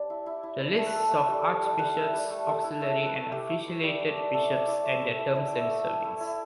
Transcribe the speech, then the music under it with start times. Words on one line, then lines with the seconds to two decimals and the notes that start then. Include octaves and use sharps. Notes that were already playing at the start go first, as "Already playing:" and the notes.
The lists of archbishops, auxiliary and affiliated bishops and their terms of service.
Already playing: G3 D4
0.10 E4
0.26 E4
0.43 E4
0.60 E4
0.77 A3 A4
0.86 B4
0.95 E4 A4
1.11 A3
1.28 G3
1.46 G3
1.62 G3
1.79 G3 B4
1.96 E4
2.13 G3
2.30 A3
2.47 A3
2.64 E4
2.81 A3 E5
2.97 A3
3.06 B4
3.14 A3
3.32 A3 G4
3.49 E4
3.66 E4
3.83 G3
4.00 D4
4.17 D4
4.34 A3 A4
4.51 E4 D5
4.67 E4 D5
4.84 A3
5.02 E4
5.19 E4
5.35 E4 E5
5.47 G5
5.53 E4
5.59 E5
5.70 A3
5.86 E4
6.04 E4
6.20 E4